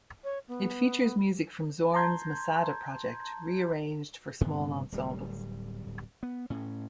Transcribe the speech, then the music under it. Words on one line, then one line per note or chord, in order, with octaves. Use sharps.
It features music from Zorn's "Masada" project, rearranged for small ensembles.
C#5
B3
A5 A#5 C6 G6 G#6
D#1 G2 C3 B3
D1 G3
B3
A2 C#4